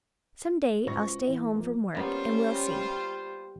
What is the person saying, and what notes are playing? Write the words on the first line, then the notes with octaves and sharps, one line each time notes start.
"Some day I'll stay home from work, and we'll see."
C#2 F#4 C5 C#6 A#6
E3
F3 A#3
G3 A#3 B3 C#4 F4 C5